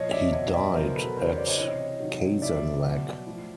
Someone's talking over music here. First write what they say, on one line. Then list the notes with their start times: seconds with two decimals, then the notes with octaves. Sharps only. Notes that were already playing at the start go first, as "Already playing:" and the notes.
He died at Kazanlak.
Already playing: A#2 F3 C#5 D#5
0.11 D5 E5
0.32 B2 F#3 C#5 D#5
0.53 D5 E5
0.74 B2 F#3 A#4 C5
0.96 A4 B4
1.16 C#3 F#3 A#4 C5
1.27 B4 C#5
1.37 C5 D5
1.47 C#5 D#5
1.58 C3 E3 C#5 D#5
2.00 C3 D#3 F#3
2.42 C#3 F3 D5 E5
2.84 B2 F#3
3.26 A2 F3